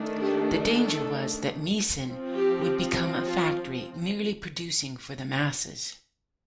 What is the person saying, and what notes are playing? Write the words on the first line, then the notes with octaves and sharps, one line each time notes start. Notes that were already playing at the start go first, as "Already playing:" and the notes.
The danger was that Meissen would become a factory merely producing for the masses.
Already playing: D#3 A3 D4
G4
A4
F3 C4
G4
F4